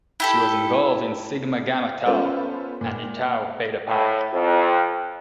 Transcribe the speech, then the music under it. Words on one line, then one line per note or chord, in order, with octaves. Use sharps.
She was involved in Sigma Gamma Tau and Tau Beta Pi.
E4 G4 A4
B3 C#4 F4 A4 C5
A#2
A2
F2